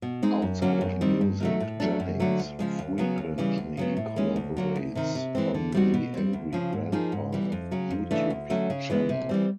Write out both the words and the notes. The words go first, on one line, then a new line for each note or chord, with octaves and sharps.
Outside of music, Jennings frequently collaborates on The Angry Grandpa YouTube Channel.
B2
G#3 C4 D#4
F#2
D3 F#3 A#3 C#4
F#2
D#3 G3 C4
G2
D#3 F#3 A3
A2
F#3 A3 D4
F#2
D3 F#3 A3
D2
C#3 F3 G#3
D#2
C#3 F#3 B3
D#2
C#3 E3 G3
D2
C#3 F#3 B3
A2
E3 G#3 C#4
D2
D3 F#3 A#3
D2
C3 D#3
C3
E3 G#3 C4
D3
G3 C4 D#4 F#4
B2
G3 C4
D2
C#3 F3
G#2
F3 A#3 D#4 G#4
G#2
E3 G3
F2
C#3 F#3
F2
C#3 E3 A3 D4
D2
D3 F#3 A3 C#4
C#3
E3 G#3 B3
C3
E3 G3 C4